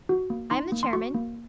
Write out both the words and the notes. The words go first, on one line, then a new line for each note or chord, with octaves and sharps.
I am the chairman.
F#4
A#3
D#4 C6
A#3
C6
F#4 C#6
A#3